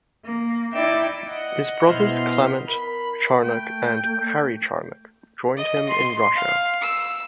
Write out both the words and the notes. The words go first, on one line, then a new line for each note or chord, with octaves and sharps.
His brothers Clement Charnock and Harry Charnock joined him in Russia.
A#3
D#4 E4 D5 E5 G5
D#5 F#5
B2 B3 E4 C5 C6 F6
A#4 B5
A3 G5
D#5
C6
F5
E6